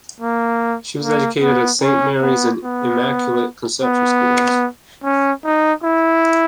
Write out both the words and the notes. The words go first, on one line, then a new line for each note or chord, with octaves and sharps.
He was educated at Saint Mary's and Immaculate Conception Schools.
A#3
A#3
B3
C#4
B3
B3
B3
C#4
D#4
E4